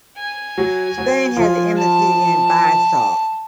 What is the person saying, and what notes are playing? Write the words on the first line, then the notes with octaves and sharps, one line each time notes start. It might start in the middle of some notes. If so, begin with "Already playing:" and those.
Spain has an embassy in Bissau.
G#5
F#3 F#4
F#3 F#4
F3 F4
A5